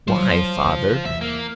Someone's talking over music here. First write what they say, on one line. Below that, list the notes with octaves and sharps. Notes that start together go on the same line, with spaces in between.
"Why, father?"
F#3 G3 F4 C5
C#3 E3
E2 E3 E5
A#3